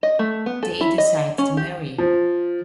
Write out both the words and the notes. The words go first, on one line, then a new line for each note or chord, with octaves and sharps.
They decide to marry.
D#5
A3
B3
A4
E4
D#5
C#4
G4
F3